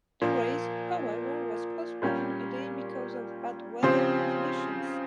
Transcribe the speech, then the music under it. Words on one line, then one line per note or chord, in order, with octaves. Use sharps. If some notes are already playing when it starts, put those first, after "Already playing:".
The race, however, was postponed a day because of bad weather conditions.
A#2 F3 A#3
A#2 G3 C#4 G4
C#3 F3 C4 G4 C5